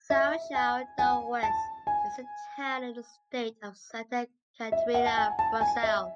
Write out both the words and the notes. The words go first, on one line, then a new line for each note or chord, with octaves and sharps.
São João do Oeste is a town in the state of Santa Catarina, Brazil.
E5
G#5
G#5
A5
G#5
E5
F#5
A5
G#5
A5
G#5
E5